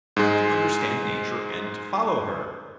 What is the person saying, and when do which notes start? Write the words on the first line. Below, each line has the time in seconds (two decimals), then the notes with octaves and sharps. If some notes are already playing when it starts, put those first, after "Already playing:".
To understand Nature, and to follow her!
0.17 G#2 G#3